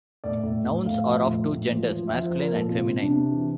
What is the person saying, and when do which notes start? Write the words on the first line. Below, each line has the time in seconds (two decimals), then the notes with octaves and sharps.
Nouns are of two genders, masculine and feminine.
0.24 A2 D5
0.43 A2
0.64 A2
0.84 A2 F5
1.05 F3
1.26 A2
1.47 A2
1.67 F3
1.87 F3
2.07 F3 E5
2.23 C5
2.29 F3
2.39 A#4
2.49 A#2
2.55 A4
2.69 C3 F4
2.89 C3
3.00 D4
3.11 C3
3.31 E3